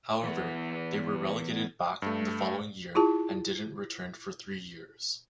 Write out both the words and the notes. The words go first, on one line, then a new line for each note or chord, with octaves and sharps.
However they were relegated back the following year and didn't return for three years.
E3 B3
G2 A3
E4 F4 G#4 A5